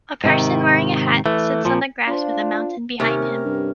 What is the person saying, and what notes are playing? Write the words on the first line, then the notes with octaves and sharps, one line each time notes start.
A person wearing a hat sits on the grass with a mountain behind him.
G#2 C3 D#3
E3 A3
A#2 F3
D4 F4 C5
D#2 C3 C#4 A#4
G2